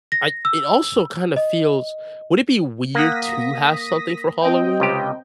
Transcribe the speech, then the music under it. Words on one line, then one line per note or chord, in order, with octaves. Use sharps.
I It also kinda feels would it be weird to have something for Halloween?
A#6
E6
D#5
A#3 F#5 D#6 A#6 B6
C4 D#5 G5
C#2 C3 G4